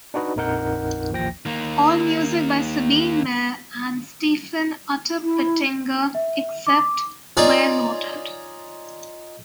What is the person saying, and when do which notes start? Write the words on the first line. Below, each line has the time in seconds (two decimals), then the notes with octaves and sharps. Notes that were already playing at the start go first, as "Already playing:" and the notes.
All music by Sabine Mair and Stefan Unterpertinger except where noted.
0.14 D4 D#4 F#4 B4 D#5
0.36 A#1 F2 D#4 A#4 F#5 G6
1.11 A1 D#2 F3 G5 A#6
1.46 D#3 A#3
5.22 E4
6.15 E5
6.67 D6
7.37 D#4 F4 G#4 C#5 D5